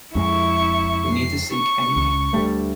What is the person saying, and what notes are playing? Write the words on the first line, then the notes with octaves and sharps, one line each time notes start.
We need to seek Amy.
F2 G#3 E4 C#6
C7
C#6
C#2
D2 G3 A3